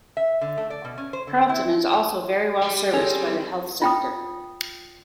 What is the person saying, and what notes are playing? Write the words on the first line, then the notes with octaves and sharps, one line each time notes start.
Carlton is also very well serviced by the health sector.
E5
D3
A3
D5
B2
C#4
C5
D3
E4
G3
C4 C#4 G#4 A4 A#6
F4 G5 D#6